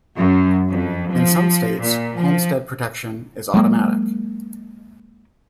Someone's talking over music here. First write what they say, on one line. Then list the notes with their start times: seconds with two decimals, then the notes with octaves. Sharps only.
In some states, homestead protection is automatic.
0.17 F#2
0.68 F2
1.11 F3
1.80 A#2
2.16 F3
3.54 F#3 G#3 A#3